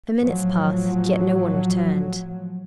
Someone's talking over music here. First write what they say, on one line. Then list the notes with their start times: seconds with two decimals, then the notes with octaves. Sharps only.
The minutes passed, yet no one returned.
0.23 A2 F3 F#3